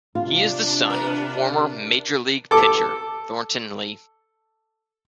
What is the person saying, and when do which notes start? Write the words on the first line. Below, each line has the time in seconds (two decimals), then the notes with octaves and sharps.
He is the son of former major league pitcher Thornton Lee.
0.15 C3 D4 F4
0.90 B3 A#4
2.51 A4 D6